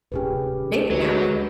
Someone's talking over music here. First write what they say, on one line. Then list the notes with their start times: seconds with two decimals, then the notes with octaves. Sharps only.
Big family.
0.12 D1 C3 C#4 G4 G#4 B4
0.90 D2 F#3 G#3 B4